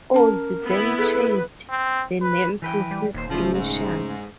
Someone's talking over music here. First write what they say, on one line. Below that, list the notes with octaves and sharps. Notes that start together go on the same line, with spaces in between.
Olds then changed the name to his initials.
C#4 A#4 A5
B3 E4
G#4 A4 B4
C4
B4
E3 B4 G5
G3
D#1 D#2 C5
C#3 F3 A3
G#2